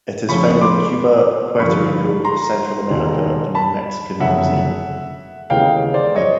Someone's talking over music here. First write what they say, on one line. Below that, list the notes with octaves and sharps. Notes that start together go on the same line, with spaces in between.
It is found in Cuba, Puerto Rico, Central America and Mexican cuisine.
F2 C#3 F3 A3 B5 C#6
C6 D6
G2 D3 F3 B5 C#6
A#5 C6
E1 D#2 D#3
A5 B5
F#1 F2 D3 F#3 E5 F#5
D#2 C#3 E3 G#3 B3 F5 G5
C5 D5
C#5 D#5